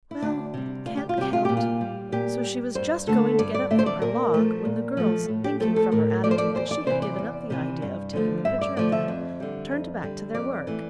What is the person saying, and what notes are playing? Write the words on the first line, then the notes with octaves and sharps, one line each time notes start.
"Well, it can't be helped." So she was just going to get up from her log, when the girls, thinking from her attitude that she had given up the idea of taking a picture of them, turned back to their work.
E4
D2 D4
C3 G3
D2 F4
G4
F4
C3 G3 G4
F4
A#2 G4
F4
G3
A#2 G4
G3
G2 C5
D3 A3 A4
G2 D5
D5
D3 A3 E5
C5
D5
A#2 A#4
F3 A3
A#2
F3 A3
A2
G4
F3 A3 A4
A4
A2 A#4
F3 A3 D5
C5
D5
E2 C5
D5
C3 E3 C5
D5
E2
C3 E3
G2
D3 F3 A3
G2 E5
D5
D3 F3 A3 D5
E5
F2
D3 G3
F2
D3 G3
F2 D5
E3 A3